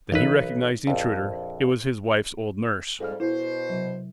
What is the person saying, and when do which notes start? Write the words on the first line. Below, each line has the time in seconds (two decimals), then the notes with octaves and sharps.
Then he recognised the intruder, it was his wife's old nurse.
0.12 B1 E3 D#4 A#4 B4
0.87 A#1 F2
3.00 F2 G#2 G3 A4 F5 F6
3.20 B2 E4 C5
3.70 C3 F#3